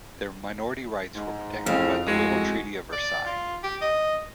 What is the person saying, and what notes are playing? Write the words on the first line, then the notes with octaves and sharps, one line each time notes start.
Their minority rights were protected by the Little Treaty of Versailles.
G#2
F2 A2 C#3 F3 F5
A2 G#3 F#4
D5
F4
G4
D#5